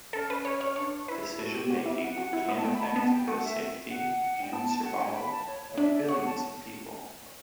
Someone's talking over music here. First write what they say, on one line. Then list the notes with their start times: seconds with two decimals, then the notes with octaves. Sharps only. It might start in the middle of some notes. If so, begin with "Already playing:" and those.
Decision-making can affect the safety and survival of billions of people.
0.13 C#4 A4
0.30 B4
0.45 C#5
0.61 C#4 C#5
0.76 D4 C#5
1.08 E4 B4
1.39 F#4 A4
1.55 G4
1.70 F#4 G4
1.86 E4
2.02 F#5
2.18 F#4
2.33 E4
2.48 B3
2.58 A5
2.64 A3 G5
2.74 B5
2.81 A5
2.96 B3 A5
3.12 G5
3.27 A3 F#5
3.43 E5
3.90 F#5
4.41 G5
4.53 B3 A5
4.68 A5
4.84 F#5
4.99 G5
5.15 B5
5.31 A5
5.46 C#5
5.62 C#5
5.77 D4 E5
5.94 D5
6.09 C#5 F#5
6.25 A5